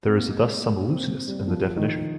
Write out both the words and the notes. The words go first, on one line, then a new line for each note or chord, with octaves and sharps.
There is thus some looseness in the definition.
C4
A#3
G#3
A#3
C4
G3
F3
D#3